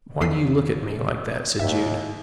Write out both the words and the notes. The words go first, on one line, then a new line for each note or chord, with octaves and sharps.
"Why do you look at me like that?" said Jude.
E2 C#4 A4 B6 C7 D#7
D#2 G#2 E5